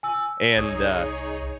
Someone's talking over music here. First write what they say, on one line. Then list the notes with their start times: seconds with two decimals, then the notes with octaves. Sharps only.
and, uh
0.03 G#5 E6
0.57 C2 D#4 G#4 C#5 D#6 G#6